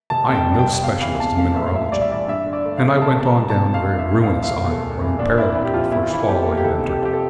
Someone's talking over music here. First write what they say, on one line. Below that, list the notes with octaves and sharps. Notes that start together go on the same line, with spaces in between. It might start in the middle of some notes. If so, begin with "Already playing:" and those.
I am no specialist in mineralogy, and I went on down a very ruinous aisle running parallel to the first hall I had entered.
F1 A5
F2
G5
G3
A5
G5
C3
G5
E2 F5
E3 F5
E2 A5
A3 F5
A#1 E5
F5
A2 E5
G3 D5
E5
E3 D5
G2 E5
D3
D5
A3
F5
F3
E1 A5
E2 A5
A#5
G3
A5
C3
A1 F5
G2
E5
A#3
F5
F3
E5
E1 F5
E2
A4
A3
E3
A#1 D4
A#2 E4
C4 E4
G4
F3 F4
E2 E4
F4
E3 E4
A4
E2 G4
A#3
G4
F1 A4
F2
G4
F3 G4
A4